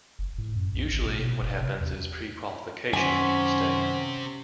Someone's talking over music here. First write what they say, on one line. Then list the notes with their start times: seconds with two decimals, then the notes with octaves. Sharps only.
Usually, what happens is pre-qualification, instead.
0.19 F#1
0.38 A2
0.55 F#2
0.74 B1
0.91 G#1
1.06 A#2
1.19 B2
1.42 F#1
1.60 C3
1.81 E2
2.93 F#2 C3 D#3 C#4 C5 F#5 G#5 C6